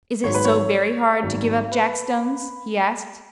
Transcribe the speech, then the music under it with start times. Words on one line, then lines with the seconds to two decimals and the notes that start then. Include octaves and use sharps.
"Is it so very hard to give up jack-stones?" he asked.
0.24 G#1 G#2 F#3 C#5
0.34 B4
0.45 C#5
1.22 G#1 G#2 F#3
1.72 B4